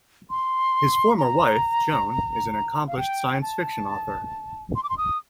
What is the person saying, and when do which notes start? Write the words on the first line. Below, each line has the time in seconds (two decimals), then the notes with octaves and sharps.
His former wife, Joan, is an accomplished science fiction author.
0.30 C6
1.18 A#5
2.87 F5
2.97 G5
3.42 A5
4.75 C6
4.83 D6
4.89 C6
4.98 D#6